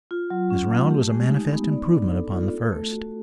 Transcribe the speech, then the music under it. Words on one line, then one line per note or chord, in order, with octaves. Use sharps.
This round was a manifest improvement upon the first.
F4
F#3
C#4
A3
G4
G#3
D#4
B3
D5
D4
A4
F4
A4
A3
F#4